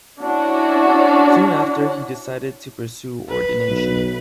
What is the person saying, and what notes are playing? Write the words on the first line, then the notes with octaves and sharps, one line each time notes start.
Soon after, he decided to pursue ordination.
C#4 D4 E4 F#4 C#5
B4
B1